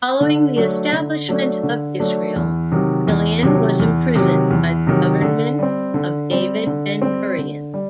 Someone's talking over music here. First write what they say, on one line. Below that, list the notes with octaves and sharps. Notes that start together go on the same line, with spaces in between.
Following the establishment of Israel, Ghilan was imprisoned by the government of David Ben-Gurion.
D3
F#3 A3 D4
D3
F#3 A3 D4
D3
F#3 A3 D4
E2
C3 D#3 F#3
E2
C3 D#3 F#3
E2
C3 D#3 F#3
E2
C3 D#3 F#3
D3
G3 C4
D3
G3 C4
D3
G3 C4
D3
G3